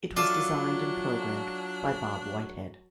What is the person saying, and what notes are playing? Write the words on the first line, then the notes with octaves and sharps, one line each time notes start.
It was designed and programmed by Bob Whitehead.
F#3 D4 F4 A4 D5 E5